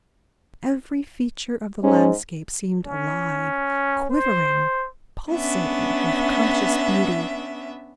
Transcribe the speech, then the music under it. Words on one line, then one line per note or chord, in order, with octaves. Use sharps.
Every feature of the landscape seemed alive, quivering, pulsating with conscious beauty.
G#2 C#4
C#4
C5
B3 C#4 D4 E5